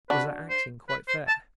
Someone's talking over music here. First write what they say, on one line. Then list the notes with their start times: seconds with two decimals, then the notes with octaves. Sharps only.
"Was that acting quite fair?"
0.10 D4 F#4 B4
0.50 C5
0.89 B4
1.08 C5
1.27 A5